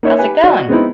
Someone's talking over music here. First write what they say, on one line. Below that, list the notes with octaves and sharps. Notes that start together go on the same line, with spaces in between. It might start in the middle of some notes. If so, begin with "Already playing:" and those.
How's it going?
A#3 D#4 C#5 E5
G4 B4 G#5
F#4 D5 D#5 F#5
G#3 B3 C4 D#4 E4